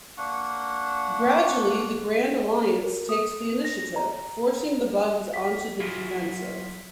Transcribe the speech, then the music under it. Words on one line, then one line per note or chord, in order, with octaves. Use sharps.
Gradually, the Grand Alliance takes the initiative, forcing the Bugs onto the defensive.
A#3 D4 F#5 C#6
A#4
D#6
A#6
A#5
B6
F#3 E4 F4 G#4